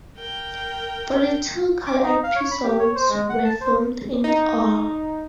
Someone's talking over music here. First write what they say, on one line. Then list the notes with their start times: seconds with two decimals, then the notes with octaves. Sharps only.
Forty-two color episodes were filmed in all.
0.17 A#4 G5
1.86 D6
2.03 D#4
2.24 F5
2.36 C#5
2.51 B5
2.63 G4
2.79 C#5
2.95 C5
3.09 G#3
3.30 F#5
3.44 A5
3.61 C5
4.24 D#4